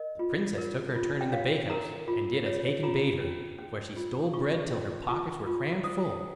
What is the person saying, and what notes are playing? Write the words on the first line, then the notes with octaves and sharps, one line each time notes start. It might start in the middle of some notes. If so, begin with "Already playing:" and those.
The Princess took her turn in the bakehouse, and did as Hacon bade her, for she stole bread till her pockets were crammed full.
Already playing: A#4 D#5
F4
A#4
F4
G5
C#5 F5
A#4 A#5
F4
C#5
F4 A#5
C#4
C#4
F4
F4 C#6
C#4
F4 C#6
F4
C5 D#6